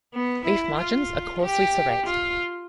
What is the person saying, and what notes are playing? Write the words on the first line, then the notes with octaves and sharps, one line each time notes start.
Leaf margins are coarsely serrate.
B3
E4
F4
G4
F4